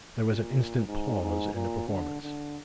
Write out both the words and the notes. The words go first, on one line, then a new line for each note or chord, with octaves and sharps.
There was an instant pause in the performance.
A#2
G#2
G#2
A#2
D3
D3